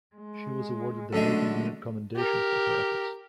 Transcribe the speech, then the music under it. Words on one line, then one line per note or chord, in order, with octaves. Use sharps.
She was awarded the Navy Unit Commendation for her efforts.
G#3
F#2 D3 G#3 A3 D4 A4
G4 A#4